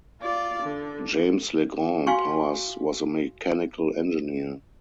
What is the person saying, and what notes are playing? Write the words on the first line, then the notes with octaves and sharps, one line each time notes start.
James Legrand Powers was a mechanical engineer.
F4 D5
D3
F#4 F5 G#5 C6 C#6